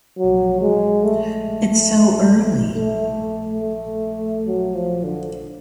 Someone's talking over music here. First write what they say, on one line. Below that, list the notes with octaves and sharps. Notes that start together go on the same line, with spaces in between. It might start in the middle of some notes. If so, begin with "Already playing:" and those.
It's so early!
F#3
G#3
A3
A3
A3
F#3
F3
D3